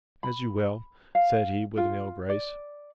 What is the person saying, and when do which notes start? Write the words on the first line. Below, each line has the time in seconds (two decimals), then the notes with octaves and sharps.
"As you will," said he, with an ill grace.
0.23 B5
1.15 F5
1.77 F4
2.29 D5